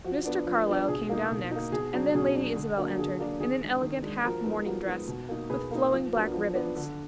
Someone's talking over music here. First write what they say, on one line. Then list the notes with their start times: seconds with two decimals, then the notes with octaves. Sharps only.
Mr. Carlyle came down next; and then Lady Isabel entered, in an elegant half-mourning dress, with flowing black ribbons.
0.04 F3 F#4
0.25 B3 D4
0.46 F3
0.67 B3 D4
0.88 B2 G#4
1.09 A#3 D#4
1.30 B2
1.51 A#3 D#4
1.72 B2 G#4
1.93 F#3 D4
2.14 B2 G#4
2.35 F#3 D4
2.56 D3
2.77 F#3 A#3 D4
2.98 D3 G#4
3.19 F#3 A#3 D4
3.40 D#3 G#4
3.61 G#3 D4
3.82 D#3
4.03 G#3 D4
4.24 F3 F#4 A#4
4.45 G#3 B3 D#4
4.66 F3 F#4 A#4
4.87 G#3 B3 D#4
5.08 B2
5.29 A#3 D#4
5.50 B2 G#4 B4
5.71 A#3 D#4
5.92 F3
6.13 B3 D4 F#4 A#4
6.33 F3 F#4
6.54 B3 D4
6.76 D3